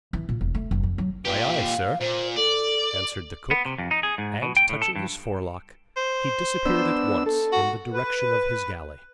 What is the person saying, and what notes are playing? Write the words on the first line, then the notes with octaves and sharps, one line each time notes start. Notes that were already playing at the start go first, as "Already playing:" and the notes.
"Aye, aye, sir," answered the cook, and touching his forelock, he disappeared at once in the direction of his galley.
E3
A#2
E1
A3
F#1
F2
F#3
A#2 G4 B4
F5
A#2 C5
A4 D5
B3
C3
F2
D#4
G#4
G#2
B2
G5
A2
A4
G2
C5
B3 D4 E6
A4
F#4
B4